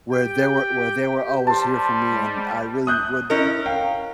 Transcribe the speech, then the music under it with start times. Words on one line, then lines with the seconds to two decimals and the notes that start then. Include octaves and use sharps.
where they were where they were always here for me, and I really would,
0.13 G4 G5
1.47 G3 C5 A5
2.09 G#3
2.87 D#6 F#6 G6
3.30 C#4 E4 A#4 D#5 G6
3.66 F5 G5